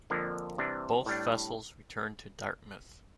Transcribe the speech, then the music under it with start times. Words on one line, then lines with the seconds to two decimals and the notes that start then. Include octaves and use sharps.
Both vessels returned to Dartmouth.
0.10 F2 D3 F3 A#3 D4
0.58 C3 E3 G3 D4
1.06 A2 G3 D4